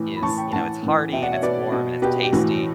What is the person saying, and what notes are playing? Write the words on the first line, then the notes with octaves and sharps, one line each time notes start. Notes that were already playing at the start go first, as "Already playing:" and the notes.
is you know, it's hearty and it's warm and it's tasty
Already playing: A2 E3
B5
A2 E3 A5 C#6
G5 B5
A2 E3 F#5 A5
A2 E3
B2 E5 G5
D5 F#5
C#5 E5
B2 B4 D5
B2
B2 G4 B4
G4
A2 E3 F#4